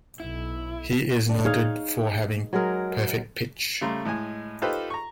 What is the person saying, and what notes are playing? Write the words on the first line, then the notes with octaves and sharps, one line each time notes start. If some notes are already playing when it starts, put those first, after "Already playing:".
He is noted for having perfect pitch.
B1 E4
D4
D#4 G#4 C#5 F5
F#3 G#3 G#4 A#4
C#3 G3 A3 A#5 C6
A2 G#3 D#5 G#5
D#4 F4 G4 A4 B4 C5
A#5 C#6